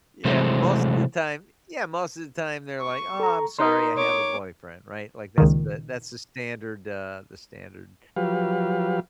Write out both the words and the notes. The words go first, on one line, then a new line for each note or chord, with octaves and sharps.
Yeah, most of the time Yeah, most of the time, they're like, "Aw, I'm sorry, I have a boyfriend," right, like, that's the that's the standard, uh the standard
C3 E3 F#3 G#3 A3 C5
C#6
A4 A#5
D#4 A#4 C6 D#6
C#5 D6
C#2 A#2 D#3
F3 F#3 G4 B4 F5